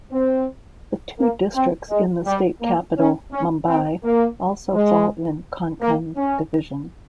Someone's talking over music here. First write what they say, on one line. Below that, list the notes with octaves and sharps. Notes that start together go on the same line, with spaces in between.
The two districts in the state capital Mumbai also fall in Konkan division.
C4
A#3
C4
G#3
G3
A#3
C#4
C#4
C4
A#3
G#3
A#3
C#4